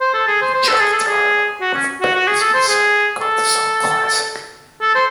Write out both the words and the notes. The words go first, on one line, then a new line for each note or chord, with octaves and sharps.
Chuck Darrow of "Bettors Insider" called the song "classic".
C5
A4
G#4
C5
C5
A4
G#4
A4
G#4
F#4
C#4
F#4
F#4
G#4
A4
C5
G#4
A4
A4
C5